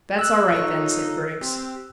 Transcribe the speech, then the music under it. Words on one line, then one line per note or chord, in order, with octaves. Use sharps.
"That's all right, then," said Griggs.
E6 F#6
D#4 F4 A4 C#5
C4 G4